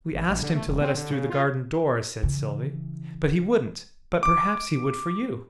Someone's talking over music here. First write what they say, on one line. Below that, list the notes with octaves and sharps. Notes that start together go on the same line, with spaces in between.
"We asked him to let us through the garden-door," said Sylvie: "but he wouldn't: but perhaps he would for you!"
G#1
A#1
D3
A3
E1
C4
D3
C#3
F4
C#3 E3
D6